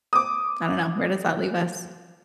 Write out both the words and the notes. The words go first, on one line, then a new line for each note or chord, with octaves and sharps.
I don't know, where does that leave us?
D6 D#6